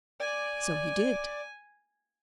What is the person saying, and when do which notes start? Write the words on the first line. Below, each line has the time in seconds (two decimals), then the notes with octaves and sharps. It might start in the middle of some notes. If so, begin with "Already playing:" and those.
"So he did."
0.20 D5 G#5